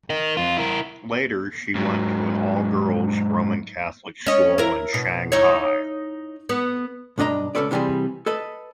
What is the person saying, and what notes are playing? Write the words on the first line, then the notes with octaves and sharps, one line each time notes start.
Later she went to an all-girls Roman Catholic school in Shanghai.
A#4 D#5
F2 F4
E4 A#4
G#2 F#3
C#4 D#5
E4 A#4
B2
D#4 E4 C#5
B3
B1 G2 D4 D#5 A#5
C#2 C#4 A4 B4 D5
C3 E3 G3 C4 G#4
A4 B4 D#5